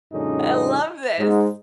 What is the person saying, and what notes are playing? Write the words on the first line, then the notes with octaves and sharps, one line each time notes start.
I love this.
F#2 A#2 D3 G#3 C#4 D#4
G#2